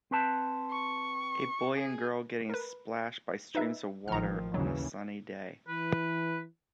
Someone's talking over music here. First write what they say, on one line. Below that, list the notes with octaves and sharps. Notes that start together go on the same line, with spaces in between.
A boy and girl getting splashed by streams of water on a sunny day.
C4 B4 A5
C#6
G#4
A#4 B4
D#4 B4 E5
A1 D#3 F3 A#5 F6
D#2 C#3 E3 F#3
E3 B4